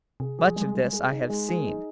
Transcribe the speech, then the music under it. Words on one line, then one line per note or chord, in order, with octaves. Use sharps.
Much of this I have seen.
C3 G#4
G#4
F3
G#3
G3
G#4
G#4
D#4
G#3
G#4
D#4